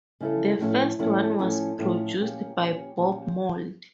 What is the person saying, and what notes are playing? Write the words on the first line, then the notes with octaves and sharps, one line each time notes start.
The first one was produced by Bob Mould.
C#3 G3 C#4 E4 A4
A2 F3 C#4 E4 A4
A2 F3 C#4 E4 A4
A2 F3 C#4 E4 A4
A2 F3 C#4 E4 A4
A#2 F3 C#4 G4
A#2 F3 C#4 G4
A#2 F3 C#4 G4